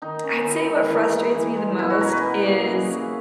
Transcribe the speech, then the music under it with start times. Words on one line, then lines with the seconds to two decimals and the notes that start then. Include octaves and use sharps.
I'd say what frustrates me the most is
0.02 D#3 D#4
0.24 C#4
0.46 D#3 E4
0.68 G#3
0.90 E3 D#4
1.13 B3
1.35 E3
1.57 G#3
1.79 B2 E4
1.90 F#4
2.01 C#4 A#4
2.12 B4
2.23 B2
2.46 A#3
2.68 C#3
2.89 C#4